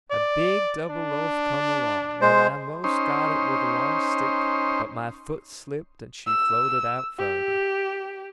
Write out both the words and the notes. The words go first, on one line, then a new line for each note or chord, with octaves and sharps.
A big double loaf come along, and I most got it with a long stick, but my foot slipped and she floated out further.
D5
D4
G#3 C5
C#4 D#4 C5
E6
G4